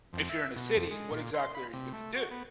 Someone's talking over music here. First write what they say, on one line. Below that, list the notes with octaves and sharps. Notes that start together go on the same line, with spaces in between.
If you're in a city, what exactly are you gonna do?
F2
E5
B2
F2
G#3
A#2
C6
B5
C3
A3
F#4
B3